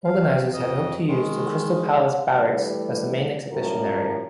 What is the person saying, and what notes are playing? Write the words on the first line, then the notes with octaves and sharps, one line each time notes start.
Organizers had hoped to use the Crystal Palace Barracks as the main exhibition area.
F5
F2 D#5
D#3 G#3
E3 G3 A3 D4 G4 B4
F#2 A2 F3 G3 F#4 A#4